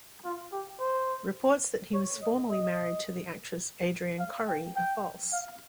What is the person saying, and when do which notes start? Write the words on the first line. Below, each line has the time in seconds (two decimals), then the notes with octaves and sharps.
Reports that he was formerly married to the actress Adrienne Corri are false.
0.24 F4
0.52 G4
0.80 C5
1.94 C#5
2.22 D#5
2.50 D#5
4.19 F5
4.48 G5
4.76 G5
5.32 F5